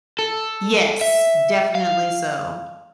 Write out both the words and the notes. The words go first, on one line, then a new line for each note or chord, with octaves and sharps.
Yes. Definitely so.
A4
E5
F5